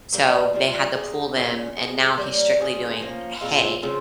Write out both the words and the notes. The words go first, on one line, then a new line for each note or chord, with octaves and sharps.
so, they had to pull them, and now he's strictly doing hay
A#2 G3 A#3
G3 A#3 F4
G#3 D#4 G4
A#2 G#3 C#4
F3 G#3 D#4 G#4
G3 A#3 C#4
G3 C#4 F4 G#4
F3 A#3 C#4
A#2 G#3 C4 F4
C#3 F3 C4 F4